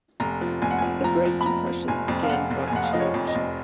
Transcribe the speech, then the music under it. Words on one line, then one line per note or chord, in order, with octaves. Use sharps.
The Great Depression again brought change.
F1 A#5
F3
F1 G#5
F#5
G#5
F3
F3 A#5
F3
B5
F3 A#5
F3
F1 G#5
F2
F5
F1 F#5
F1
G#5
F1 F#5
F5
F3 D#5
C#5
F2
D#5
F1